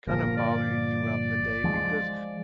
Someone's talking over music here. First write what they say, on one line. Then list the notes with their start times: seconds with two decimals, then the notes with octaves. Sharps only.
kinda bother you throughout the day because
0.07 G1 A#2 F3 A#4
0.37 D5
1.64 F3 G#3